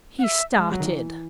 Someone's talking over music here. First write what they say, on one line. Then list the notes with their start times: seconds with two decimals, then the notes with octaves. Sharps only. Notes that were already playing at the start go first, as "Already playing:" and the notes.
He started.
0.19 F#5
0.24 E5
0.59 G#3
0.71 F#3
0.80 D#3
0.85 E3